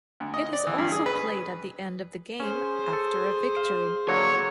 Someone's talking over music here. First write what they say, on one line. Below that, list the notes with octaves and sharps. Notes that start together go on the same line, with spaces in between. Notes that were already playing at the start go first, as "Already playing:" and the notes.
It is also played at the end of the game, after a victory.
D2
D#5
D5
E3
G2
G#4
B4
C#4 G#4 C5
A4
F5
D3 F#3 A#3 C#5